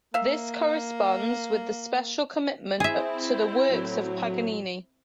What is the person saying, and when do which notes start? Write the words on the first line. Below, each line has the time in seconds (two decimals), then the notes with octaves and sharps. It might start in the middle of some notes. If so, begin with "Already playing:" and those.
This corresponds with his special commitment to the works of Paganini.
0.14 A#3 E5 F5
2.80 C4 E4 G#4 E5
3.71 A2 F#3